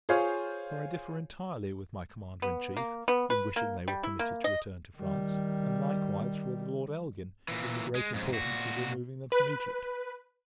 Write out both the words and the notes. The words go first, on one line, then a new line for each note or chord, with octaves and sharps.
For I differ entirely with my Commander in Chief, in wishing they were permitted to return to France; and, likewise, with Lord Elgin, in the great importance of removing them from Egypt.
F4 G#4 C5 C#5 F5
B3
A#3
B3
B4
A#3
G3
E4
A#3
D#5
D#3 G3
A#2 E3
G#3
F2 G#2
A#2 F#4
B4